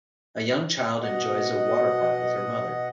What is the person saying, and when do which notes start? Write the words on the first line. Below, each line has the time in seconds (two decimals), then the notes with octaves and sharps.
A young child enjoys a water park with her mother.
1.01 B2 D#5 F#5